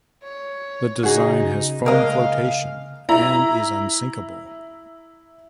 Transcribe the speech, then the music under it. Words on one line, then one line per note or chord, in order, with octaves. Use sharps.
The design has foam flotation and is unsinkable.
C#5
C#3 D#4 F#4 G#4
G#3 A#3 A#4 D#5 F5
E4 A#5